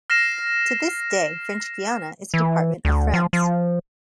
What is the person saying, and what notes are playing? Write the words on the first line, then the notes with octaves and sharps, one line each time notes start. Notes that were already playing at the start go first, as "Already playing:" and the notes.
To this day, French Guiana is a department of France.
F6 A#6 C7 E7
E3
D2
F3
F3